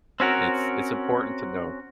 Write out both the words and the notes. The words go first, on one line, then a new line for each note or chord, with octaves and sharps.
it's, it's important to know.
C4 C#4 F#4 A#4